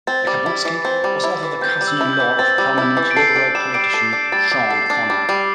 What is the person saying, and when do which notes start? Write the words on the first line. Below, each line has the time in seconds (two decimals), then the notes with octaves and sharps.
Yakabuski was also the cousin-in-law of prominent Liberal politician Sean Conway.
0.07 C4 A6
0.27 G3
0.46 E4
0.65 E3
0.85 C4
1.04 G3
1.24 E4
1.43 E3
1.61 C4 G6
1.81 G3
1.88 E6
2.01 E4
2.13 G6
2.20 E3
2.39 C4 A6
2.58 G3
2.78 E4
2.97 E3
3.11 D7
3.16 A4 C7
3.35 D4 D7
3.55 G3 E7
3.74 G3 D7
3.93 A4 C7
4.13 D4
4.32 G3 A6
4.51 G3
4.70 A4 C7
4.90 D4
5.10 G3
5.29 G3